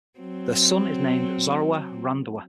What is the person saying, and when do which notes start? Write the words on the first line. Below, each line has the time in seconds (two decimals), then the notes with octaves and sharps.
Their son is named Zorawar Randhawa.
0.19 F#3 C4